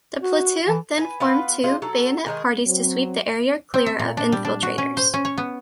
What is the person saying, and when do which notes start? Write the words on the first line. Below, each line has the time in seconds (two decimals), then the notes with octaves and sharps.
The platoon then formed two bayonet parties to sweep the area clear of infiltrators.
0.22 F#4
0.68 E3
0.97 B4 G#5
1.20 B3 F4 B4
1.64 G#3 F4 C5
1.82 F#3 A4
2.26 D#3 G#3 G#4
2.66 F#3 C4
3.74 C4
3.86 E5
3.99 A#2
4.17 D4
4.32 G3
4.45 D4
4.63 F#4
4.78 C#4
4.97 C5
5.14 C#4
5.25 C#5
5.38 B3